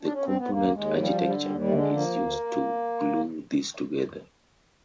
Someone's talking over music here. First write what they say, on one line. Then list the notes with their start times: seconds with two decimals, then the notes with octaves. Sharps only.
The component architecture is used to glue these together.
0.00 D4
0.12 C#4
0.24 C4
0.37 B3
0.50 D#2 A#3
0.73 D#2 G#3
0.91 F#3
0.97 F3 G3
1.15 F#3
1.21 D3 G3
1.39 G3
1.45 D#2
1.57 G3
1.69 D3 A3
1.75 G#3
1.93 F3 A#3
2.17 D2